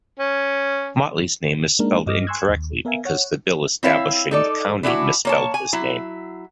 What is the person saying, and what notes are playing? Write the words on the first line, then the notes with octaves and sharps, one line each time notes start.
Mottley's name is spelled incorrectly because the bill establishing the county misspelled his name.
C#4
G#3 A#3 D4 D#4 A#4
G2 D#5 D6 D#6 F6 A#6
G#5 C6 C#6 E6 F#6 G#6
D#2
B3 A#4 E5 F5 G#5
C#5 F#5
C4 E4 C#5 E5 F5
D#4 A4 D5
E3 D4 E4 F#4
A#3 C#5 A5
G#5
F#3 E4